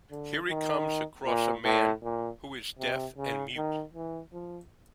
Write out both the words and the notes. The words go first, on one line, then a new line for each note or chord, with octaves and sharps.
Here he comes across a man who is deaf and mute.
D3
D#3
A#2
A2
A#2
C3
C#3
D#3
E3
F3